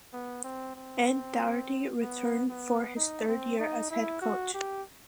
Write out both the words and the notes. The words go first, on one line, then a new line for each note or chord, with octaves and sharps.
Ed Doherty returned for his third year as head coach.
B3
C4
C4
B3
B3
D#4
C4
D#4
E4
F#4
G4